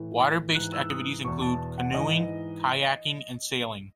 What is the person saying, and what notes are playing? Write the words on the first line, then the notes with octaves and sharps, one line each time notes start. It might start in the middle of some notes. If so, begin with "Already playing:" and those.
Water based activities include canoeing, kayaking and sailing.
Already playing: A2 E3
G#2 E3 F#6
E6
D#6
E2 B2 C#6
A5
F#5
G#2 E3 D#5